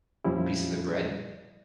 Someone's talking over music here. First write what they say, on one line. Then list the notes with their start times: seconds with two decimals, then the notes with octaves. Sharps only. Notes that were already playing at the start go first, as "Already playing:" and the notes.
pieces of bread?
0.24 F2 A#2 F3 G3 C#4 E4